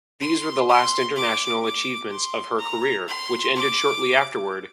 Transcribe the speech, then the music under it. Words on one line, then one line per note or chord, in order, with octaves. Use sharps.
These were the last international achievements of her career, which ended shortly afterward.
C6
C6
D6
D6
C6
A#5
C6
D6